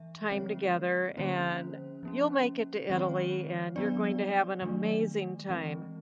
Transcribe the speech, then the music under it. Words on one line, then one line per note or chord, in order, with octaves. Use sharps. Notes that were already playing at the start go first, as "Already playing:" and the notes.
time together, and you'll make it to Italy, and you're going to have an amazing time.
Already playing: E3 D4 E5
D3 F3 G#3 C4 C#5
D3 F3 A#3 C#4 C5
F3 A#3 C#4
D#3 G#3 C4 C#5
F#3 B3 D4 D5
D#3 F#3 A3 D4
E3 G#3 C4